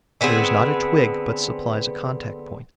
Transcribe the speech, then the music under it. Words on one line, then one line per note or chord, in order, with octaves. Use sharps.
There is not a twig but supplies a contact-point.
D3 B3 C4 G#4